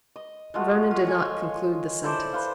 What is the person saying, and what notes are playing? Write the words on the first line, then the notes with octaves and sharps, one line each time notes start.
Vernon did not conclude the sentence.
D#5
G#3 A3 F4 F#4
F4 C#5
G#4 D#5 G#5
E4 A4 C5 D5
B4 C5 F5